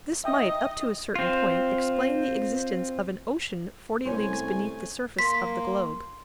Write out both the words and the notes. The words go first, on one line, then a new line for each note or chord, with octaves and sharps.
This might up to a certain point explain the existence of an ocean forty leagues beneath the surface of the globe.
D#4 D#5 E5 G5 D#6
C4 F4
C2 A3 C#4 C5 G#5
A#3 C6 B6